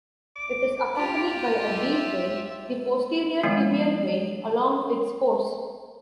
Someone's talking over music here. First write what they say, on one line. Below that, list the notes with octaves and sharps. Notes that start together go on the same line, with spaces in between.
It is accompanied by a deep vein, the posterior tibial vein, along its course.
D6
F4 G4
E5
D#3 F3 G3 G#3 B3 E4